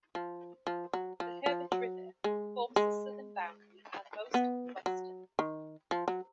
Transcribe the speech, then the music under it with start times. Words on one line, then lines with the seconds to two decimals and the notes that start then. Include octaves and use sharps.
The "Herbert River" forms the southern boundary and most of the western.
0.15 F3
0.67 F3
0.93 F#3
1.20 F3
1.46 F3
1.72 F#3
2.24 G#3
2.76 G#3
4.34 B3
4.86 F#3
5.39 D#3
5.91 F3
6.08 F#3